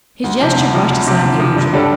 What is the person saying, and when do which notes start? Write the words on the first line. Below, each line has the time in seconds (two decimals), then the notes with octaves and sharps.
His gesture brushed aside the allusion.
0.24 D2
0.41 C3 F3
0.57 D2
0.73 C3 F3
0.90 D2
1.07 C3 F3
1.23 D2
1.40 C3 F3
1.56 G2
1.73 D3 G3 D4 A4